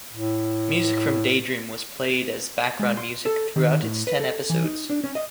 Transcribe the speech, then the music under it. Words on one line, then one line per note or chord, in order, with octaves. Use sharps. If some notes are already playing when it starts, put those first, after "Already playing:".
Music from "Daydream" was played as background music throughout its ten episodes.
A2
G#3
C6
A4
D#3
A2
B4
A4
E3
D#4
D4
C#4
D#5